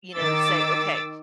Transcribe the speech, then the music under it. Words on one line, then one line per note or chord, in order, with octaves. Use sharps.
you know, say, "Okay,
D#3 D6 E6 A6